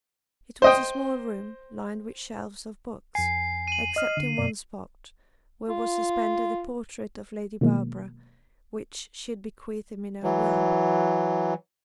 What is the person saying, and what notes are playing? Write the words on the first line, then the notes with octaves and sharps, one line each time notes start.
It was a small room lined with shelves of books, except in one spot, where was suspended a portrait of Lady Barbara, which she had bequeathed him in her will.
C5 D#5 G5
F2 G#5 C7
D#7 F#7
D#5 F6
D3
F#2 B2 D5
F4
B2 D#3 E3 F#3 G#3 A#3
E3 F#3